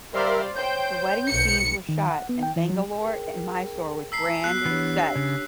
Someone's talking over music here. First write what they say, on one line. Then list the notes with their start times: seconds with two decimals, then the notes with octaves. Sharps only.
The wedding scenes were shot in Bangalore and Mysore with grand sets.
0.14 G3 A#4 C5 D5 E5 F5
0.56 C5 C#5 G5 G6
1.31 B1 C#7
1.89 D#3
2.10 F#5
2.29 B3
2.43 G5
2.56 E3
2.70 F#3
3.00 G#4 A#4 G5
4.12 A5 A#5 E6 B6 C7
4.44 B3 F#4 F#6
4.66 E3 B3 D4 G4 C#5
5.16 C#3